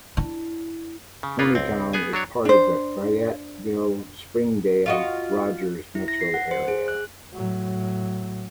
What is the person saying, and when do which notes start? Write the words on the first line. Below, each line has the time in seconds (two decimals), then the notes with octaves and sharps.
Tonitown is part of the Fayetteville, Springdale, Rogers metro area.
0.17 D4 E4
1.23 C#3
1.39 A#3 B3 F4
1.55 C#2 C4
1.93 B3 G#4 G#5
2.13 F#3 D4 C#5
2.45 D4 C5
4.86 F4 F#4 D#5
5.95 E4
6.08 A#6
6.21 C7
6.34 F#5
6.51 C5
6.68 G#4
6.88 F#6
7.33 A2 F#3